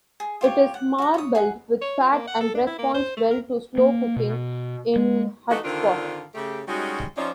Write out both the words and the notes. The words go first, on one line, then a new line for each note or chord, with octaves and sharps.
It is marbled with fat and responds well to slow cooking in "hutspot".
G#4
F4 G4 C#5
F#5
F#4 A#5
C#5 D#6
G#4 F#5
C#5
F4
A#3
F#5
A4
D4
E4
A#3
C5
A3
A#4
A#3
B2
G#3
E3 A3 D#4 F#4
D3 D#3 C4 D4 F4 A#4
C#3 A3 G4
G3 G#3 C#4 D#4 F#4
F3 C#4 D#4 F4 C5 D5